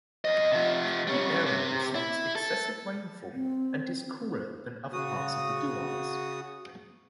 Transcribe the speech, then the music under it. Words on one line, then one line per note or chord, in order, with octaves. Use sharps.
The area receives excessive rainfall and is cooler than other parts of the Dooars.
F2 D#5
C3 F3
G3 C#4
C3
E4
A4
C4
C#3 F#4 D#6